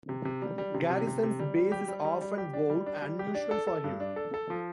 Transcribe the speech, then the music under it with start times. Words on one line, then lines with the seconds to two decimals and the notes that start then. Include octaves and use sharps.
Garrison's bass is often bowed, unusual for him.
0.09 C3
0.25 C3
0.42 G3
0.58 G3
0.74 C3
0.90 C3
1.07 C3
1.23 C3
1.39 G3
1.56 G3
1.72 G4
1.88 G3
2.05 G3
2.21 G3
2.38 G4
2.53 D4
2.70 G3
2.86 D4
3.02 G3
3.19 G4
3.35 D4
3.51 A4
3.67 A4
3.84 G2
4.00 D4
4.16 A4
4.34 A4
4.50 F3